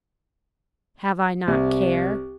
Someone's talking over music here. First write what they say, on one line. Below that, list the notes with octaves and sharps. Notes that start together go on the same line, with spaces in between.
Have I not care?
C2